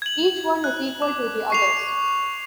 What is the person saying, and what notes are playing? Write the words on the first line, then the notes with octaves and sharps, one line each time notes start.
Each one is equal to the others.
G#6 F#7
F#6
D6
C#6 C7 F7